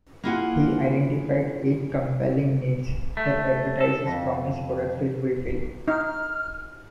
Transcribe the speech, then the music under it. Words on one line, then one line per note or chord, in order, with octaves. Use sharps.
He identified eight "compelling needs" that advertisers promise products will fulfill.
A#3 E4 F4 G#4 F#5
A3
A4
F2
D#4 F6